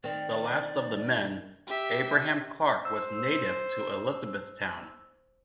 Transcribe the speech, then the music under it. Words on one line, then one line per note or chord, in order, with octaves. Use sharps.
The last of the men, Abraham Clark, was native to Elizabethtown.
D#3 C4 D5
G4 E5
C5 E6